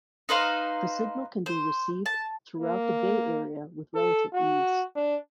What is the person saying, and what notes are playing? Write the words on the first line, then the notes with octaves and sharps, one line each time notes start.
The signal can be received throughout the Bay Area with relative ease.
D#4 B4 C5 F5
C5
A5
A#3
A4
F#4
D4